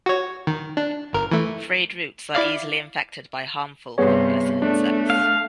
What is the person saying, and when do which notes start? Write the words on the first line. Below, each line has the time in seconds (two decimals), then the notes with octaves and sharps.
Frayed roots are easily infected by harmful fungus and insects.
0.06 F#4 C#5
0.47 D#3
0.77 D4
1.13 G1 A#4
1.32 E3 A3
2.35 E4 D5 F5
3.98 G2 C3 B3 G#4 C#5
4.62 A3 D4
5.10 F5